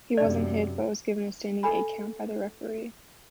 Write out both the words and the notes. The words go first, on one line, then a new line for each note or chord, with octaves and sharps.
He wasn't hit, but was given a standing eight-count by the referee.
F#2 C3 D4 D5
A4 G#5 B5